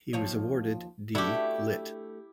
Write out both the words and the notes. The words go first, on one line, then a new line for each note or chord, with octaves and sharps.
He was awarded D. Litt.
D#2 F3 C#5
A3 D4 E4 F#4 G4